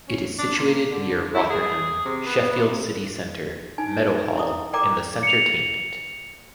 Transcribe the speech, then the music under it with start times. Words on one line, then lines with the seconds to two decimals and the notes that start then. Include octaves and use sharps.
It is situated near Rotherham, Sheffield City Centre, Meadowhall and the Centertainment.
0.08 C#4
0.39 D4
0.57 A#2
0.91 D3
1.34 E4
1.50 G#4
2.05 C3
2.26 B3
2.56 C3
3.78 D#4 G#5
4.10 D#4
4.36 E4 C#6 D#6
4.73 A4 A#4 D5 G5 A#5 D6
5.23 C#7 F7